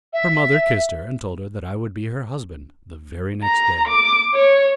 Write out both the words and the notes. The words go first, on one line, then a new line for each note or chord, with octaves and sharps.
Her mother kissed her, and told her that I would be her husband the very next day.
E5
A#5
D6
C#5